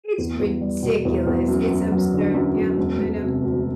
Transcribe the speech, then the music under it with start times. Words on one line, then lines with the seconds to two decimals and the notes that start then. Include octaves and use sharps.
It's ridiculous, it's absurd, yep, I know.
0.18 E2
0.40 E2
0.61 G3
0.83 B2
1.05 E2
1.26 E2
1.48 F#2
1.70 F#2
1.91 F#3
2.13 D3
2.34 F#2
2.56 F#2
2.77 E1
2.99 E1
3.21 C3
3.43 D2